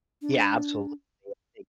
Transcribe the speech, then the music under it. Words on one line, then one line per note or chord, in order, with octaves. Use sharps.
Yeah, absolutely. I think
D4